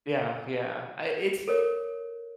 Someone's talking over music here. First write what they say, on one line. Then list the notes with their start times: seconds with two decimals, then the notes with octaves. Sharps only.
Yeah yeah, I it's
1.48 A4 A#4 C#5